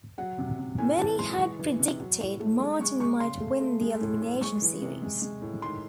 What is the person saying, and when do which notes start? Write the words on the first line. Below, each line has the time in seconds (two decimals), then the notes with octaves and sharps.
Many had predicted Martin might win the elimination series.
0.18 F#3 F#5
0.38 C3
0.59 C3
0.78 A2 G#5
0.99 E3 A5
1.18 G#3 C6
1.39 E3 C#6
1.59 E3
1.79 C3
2.00 F#3
2.19 A2
2.40 A3
2.60 G#3
2.80 G#3 C#6
3.00 G#3 C#6
3.20 C#3 C6
3.40 A3
3.61 A3
3.81 G#3
4.01 A2
4.21 A2
4.41 G#3 C#6
4.62 E3
4.82 C3
5.02 G#3
5.22 G#3
5.42 A2
5.62 D#3 C6